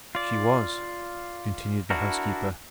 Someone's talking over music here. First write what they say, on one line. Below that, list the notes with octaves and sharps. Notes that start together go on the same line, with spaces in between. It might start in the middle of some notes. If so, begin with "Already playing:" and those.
'She was,' continued the housekeeper.
F4 D5
D4 E4 F#4 A#4